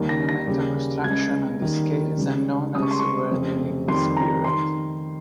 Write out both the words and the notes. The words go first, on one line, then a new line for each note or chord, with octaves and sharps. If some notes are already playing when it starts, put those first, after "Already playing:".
Monumental construction on this scale is unknown elsewhere during this period.
Already playing: D#2 D#3 G3
A#6
A#6
D#2 C#3 G3
C#2 C#3 G3 G#6
D#2 D#3 G3
C#2 C#3 G3
C#2 C#3 G3 D#6
C#6
C6
C#6
F1 F2 C#3
F2 D#3 G3 C6
A#5
D#3 C6